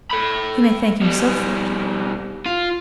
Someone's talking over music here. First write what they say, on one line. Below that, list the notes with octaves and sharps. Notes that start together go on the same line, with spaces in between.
"He may thank himself for it."
A4 B5
B2 G3
F4